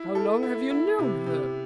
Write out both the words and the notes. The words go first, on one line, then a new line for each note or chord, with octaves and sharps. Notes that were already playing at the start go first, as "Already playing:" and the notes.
"How long have you known her?"
Already playing: E4
A4
E4
E4
C3
C3